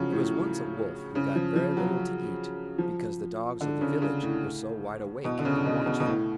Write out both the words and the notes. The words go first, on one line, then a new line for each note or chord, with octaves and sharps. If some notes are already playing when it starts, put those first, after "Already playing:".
There was once a Wolf who got very little to eat because the Dogs of the village were so wide awake and watchful.
Already playing: C#3 F3 F#3
A2
C#3
F3
F3
F#3
F3
D3
C#3
C#3
A2
B2
D3
C#3
B2
B2
B2
A2